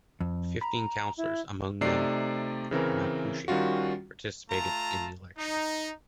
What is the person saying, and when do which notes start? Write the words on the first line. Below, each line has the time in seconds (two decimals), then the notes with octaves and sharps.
Fifteen councilors, among them Mapuche, participated in the election.
0.21 F2
0.61 A#5 B5
1.17 E4
1.81 C3 A3 D#4 D5 C7
2.71 C#3 E3 C4 A#4
3.48 D#3 G3 C#4 F4 F#4
4.50 A3 F4 A5 A#5
5.38 D#4